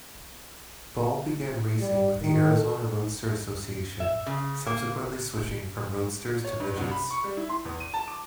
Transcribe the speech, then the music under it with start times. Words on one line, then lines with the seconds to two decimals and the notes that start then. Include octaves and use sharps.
Ball began racing with the Arizona Roadster Association, subsequently switching from roadsters to midgets.
1.79 G3
2.21 D#3
2.53 A4
4.00 E5
4.26 C#3
4.67 A#3
6.44 C#5
6.60 G2
6.77 C2
6.91 B5
7.11 C#6
7.24 G3
7.37 E4
7.49 C6
7.65 E2
7.80 D#7
7.94 A5
8.08 D6